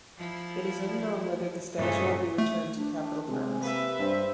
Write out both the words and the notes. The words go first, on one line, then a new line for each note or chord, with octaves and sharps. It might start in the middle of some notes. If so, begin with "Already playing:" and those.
It is unknown whether the statue will be returned to the Capitol grounds.
F3 E4
G2 A#2 C#3 A3 D#4 C5
A3
D4
C3 G#3
A#3 B4 E5
G2 C5